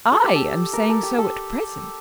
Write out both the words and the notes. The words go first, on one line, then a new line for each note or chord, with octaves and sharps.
"I am saying so at present."
A4
G4
A4
A#4
A4
G4
A4